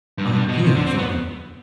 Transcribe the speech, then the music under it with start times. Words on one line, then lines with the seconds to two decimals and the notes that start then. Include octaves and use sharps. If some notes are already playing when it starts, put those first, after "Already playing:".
"I hear, father."
0.18 G2
0.33 G2
0.48 B2
0.64 C3
0.75 D3
0.86 C4
0.98 B3